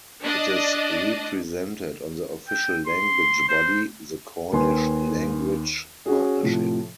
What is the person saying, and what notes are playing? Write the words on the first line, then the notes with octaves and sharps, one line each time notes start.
It is represented on the official language body, the Cornish Language Partnership.
D4 D5 D#5
G5
C6
C5
D#2 D#3 B4 G#5 C6
C#4 F#4 G#4
A2 C3 F3